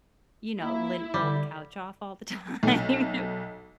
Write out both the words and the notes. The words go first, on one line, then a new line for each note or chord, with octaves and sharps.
you know, lint roll the couch off all the time.
A#3 E4
D3 G3
B1 A3